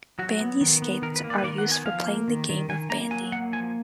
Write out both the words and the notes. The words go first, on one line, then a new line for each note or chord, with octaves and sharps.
Bandy skates are used for playing the game of bandy.
F#3 F#4
B3
D#3
B3
D#3 A#4
B4
A#3
D5
B4
D#3 D5
F#5
B3
G#5
F3 F5
A#3
D#3
D#3
D#3 G#5
A#3 A#5
F#3 G#5
A#3 F#5
F3 G#5